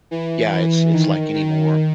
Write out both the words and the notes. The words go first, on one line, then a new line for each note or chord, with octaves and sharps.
yeah, it's it's like anymore
E3
E3
D#3
D#3